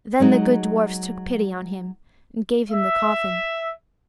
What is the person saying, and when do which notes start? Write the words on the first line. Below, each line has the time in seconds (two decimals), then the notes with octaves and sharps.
Then the good dwarfs took pity on him, and gave him the coffin.
0.20 F#3 G#3 D#4
2.71 E5